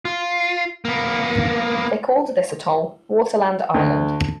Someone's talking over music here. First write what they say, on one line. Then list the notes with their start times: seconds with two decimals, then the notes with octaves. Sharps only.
They called this atoll "Waterland Island".
0.05 F4
0.85 A#3 B3
3.74 D2